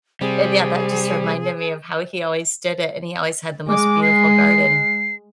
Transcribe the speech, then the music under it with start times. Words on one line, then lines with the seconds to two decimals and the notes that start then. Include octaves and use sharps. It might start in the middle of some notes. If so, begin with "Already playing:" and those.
uh, yeah, that just reminded me of how he always did it, and he always had the most beautiful garden.
0.21 C3 G3 C4 G#4
3.69 G#3 D6
4.03 C7